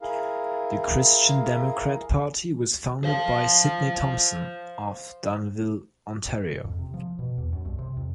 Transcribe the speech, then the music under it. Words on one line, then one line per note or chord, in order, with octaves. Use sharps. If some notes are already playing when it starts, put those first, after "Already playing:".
The Christian Democrat Party was founded by Sydney Thompson, of Dunnville, Ontario.
E4 G#4 A#4 F5
C5 F5
F2
C3
F3
B2
E2
F#2
C2
C3
F2